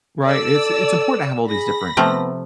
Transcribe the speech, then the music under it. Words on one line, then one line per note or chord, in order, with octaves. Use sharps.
Right. It's it's important to have all these different,
A4 D5 E6
G#4 B5 A#6
C3 F3 A3 B3